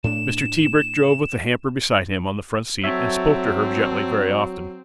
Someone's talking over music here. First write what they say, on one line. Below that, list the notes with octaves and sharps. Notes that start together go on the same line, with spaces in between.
Mr. Tebrick drove with the hamper beside him on the front seat, and spoke to her gently very often.
A2 A3 D4 E7
F#3 C4 A4 C#5 E5